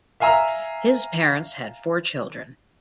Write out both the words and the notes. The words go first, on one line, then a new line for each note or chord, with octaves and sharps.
His parents had four children.
E5 F5 G#5 A#5 E6